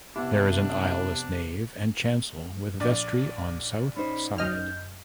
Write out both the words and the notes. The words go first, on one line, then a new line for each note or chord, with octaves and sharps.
There is an aisleless nave and chancel with vestry on south side.
F1 C3 B3 D4 E4 G4
A#1 D5
C#4 D#4 C5 B5
F#2 D#5 F6 G6